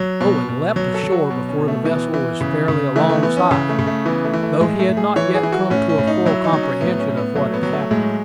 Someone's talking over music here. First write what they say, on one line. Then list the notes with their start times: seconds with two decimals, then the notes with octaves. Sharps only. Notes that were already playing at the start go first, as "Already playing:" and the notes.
Owen leaped ashore before the vessel was fairly alongside, though he had not yet come to a full comprehension of what had happened.
Already playing: F#3
0.21 B2
0.49 B2
0.76 F#3
0.94 A4
1.03 F#3
1.12 F#4
1.31 B2
1.49 C#4
1.58 B2
1.68 A3
1.85 E3 B3
2.14 E3
2.41 C#3
2.68 C#3
2.96 E3 A3
3.10 A3
3.23 E3 B3
3.37 C#4
3.51 C#3
3.69 A3
3.79 C#3
3.87 A3
4.06 E3 B3
4.25 A3
4.34 E3
4.43 A3
4.61 A2 G#3
4.79 A3
4.88 A2
4.97 G#4
5.16 E3 C#5
5.34 G#4
5.43 E3
5.52 F#4
5.70 A2 C#4
5.89 C#4
5.98 A2
6.07 D#4
6.25 F#3 E4
6.44 D#4
6.53 F#3
6.63 C#4
6.81 A2 B3
7.00 C#4
7.08 A2
7.17 B3
7.35 F#3 A3
7.54 B3
7.63 F#3
7.73 A3
7.91 A2 G#3